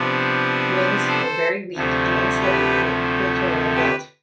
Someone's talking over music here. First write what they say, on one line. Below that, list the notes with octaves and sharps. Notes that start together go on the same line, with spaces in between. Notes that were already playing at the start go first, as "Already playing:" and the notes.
Winds were very weak and unsteady in the equatorial belt.
Already playing: C3 F3 B3 D4
A4 C5
D2 C3 F3 A3
G4 B4
G4 B4